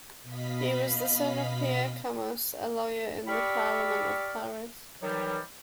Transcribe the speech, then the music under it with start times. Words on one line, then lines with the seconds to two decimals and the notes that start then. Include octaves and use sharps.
He was the son of Pierre Camus, a lawyer in the Parlement of Paris.
0.22 B2 D#5 F5 B5 B6
3.28 G4 D5 B5 C#6 E6 F6
5.03 D#3 E3 F#3 G3